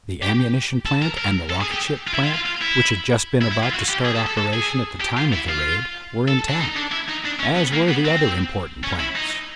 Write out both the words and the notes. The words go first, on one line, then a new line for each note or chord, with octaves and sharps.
The ammunition plant, and the rocket-ship plant, which had just been about to start operation at the time of the raid, were intact, as were the other important plants.
G4
A4
A#4
A#4
A4
G#4
G4
F4
E4
F4
F4
F4
E4
E4
E4
F4
F#4
G4
G#4
A4
A4
A4
G#4
G4
F4
E4
F4
A4
D4
D#4
D4
E4
D#4
D4
C#4
B3
A#3
B3
C4
C#4
E4
D#4